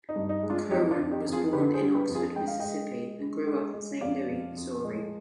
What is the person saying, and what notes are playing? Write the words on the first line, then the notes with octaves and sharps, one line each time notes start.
Cohran was born in Oxford, Mississippi and grew up in Saint Louis, Missouri.
D#4
G2
D#4
G#3
D4 F4
F2 D#4 G4
D4 F4
F2
D#4 G4
F2
F4 G#4
D3 G4 B4
G#4 C5
G3
G4 B4
F2
F4 G#4
G#3 G5
F5
G#3 D#5 G5
G#3
G#3
G#3
G#3
F2 D5 F5
F2
F2
G#3